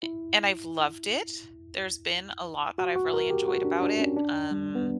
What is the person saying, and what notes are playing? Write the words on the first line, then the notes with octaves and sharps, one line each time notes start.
a and I've loved it. There's been a lot that I've really enjoyed about it, um,
E4
F#4
F#4
A#4
G4
F#4
D4
D4
C#4
D4
G3
B3